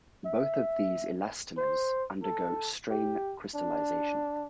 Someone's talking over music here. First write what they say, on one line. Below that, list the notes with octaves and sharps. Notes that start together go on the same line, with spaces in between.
Both of these elastomers undergo strain crystallization.
E5
C5
A4
G4
D4